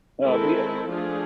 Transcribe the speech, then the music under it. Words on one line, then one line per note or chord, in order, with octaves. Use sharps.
Uh, but yeah. M
D#3 G#3 C4 E4 A4
F3 A3 D4 F4 G#4